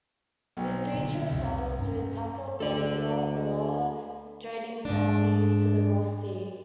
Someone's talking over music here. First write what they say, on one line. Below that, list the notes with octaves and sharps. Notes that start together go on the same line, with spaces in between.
This feature saddles with Tucker Glacier, the latter draining southeast to the Ross Sea.
B1
A#2 D3
C2 F2 C3
G2 C#4
D2 A4 D5
G#2 D4